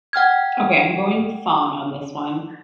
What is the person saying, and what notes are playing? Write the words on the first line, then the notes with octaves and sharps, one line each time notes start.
Okay, I'm going song on this one,
F#5 G5 F6 G#6